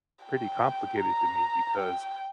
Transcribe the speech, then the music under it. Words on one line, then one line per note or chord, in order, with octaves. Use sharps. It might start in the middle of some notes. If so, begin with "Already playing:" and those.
pretty complicated to me, because,
G5
A#5
G5